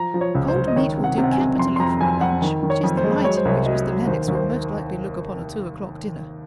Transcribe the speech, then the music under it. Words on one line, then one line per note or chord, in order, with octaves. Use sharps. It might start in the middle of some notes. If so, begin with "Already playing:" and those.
Cold meat will do capitally for a lunch, which is the light in which Mr. Lennox will most likely look upon a two o'clock dinner.'
Already playing: F3 A#5
F3
C#5
C#2
C5
C#2
D#5
D#3 C#5
C3
F#5
C3
F#5
G#5
C3
F2 C6
C6
F2 A#5
F2 G#5
F2 F#5
D#3
D#3
C#5
F2
C5
G#3
F#3 C#5
C5
C2 C#5
F#3 D#5
F#3
D#2 C5
D#2
C5